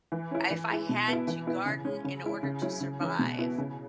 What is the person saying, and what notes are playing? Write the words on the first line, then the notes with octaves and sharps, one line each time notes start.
I if I had to garden in order to survive,
E3
C#4 E4
E3
G#3 E4
B2
B3 E4
E3
B3 E4
C#3
G#3 C#4
C#3
G#3 E4
C#3
F#3 C#4 E4
C#3
E3 C#4
B2
B3 E4
C#3